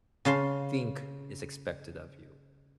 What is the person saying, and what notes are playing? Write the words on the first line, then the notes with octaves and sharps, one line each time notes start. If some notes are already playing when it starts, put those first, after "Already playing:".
think is expected of you.
C#3 F5 A5 C6